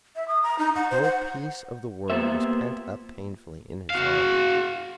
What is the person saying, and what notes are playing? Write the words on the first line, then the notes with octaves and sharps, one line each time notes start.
The whole peace of the world was pent up painfully in his heart.
E5
D#6
A#5
D#4
F#5
C5
F#5
A#3 B3 F4 G4 C5 E5
F#4 F5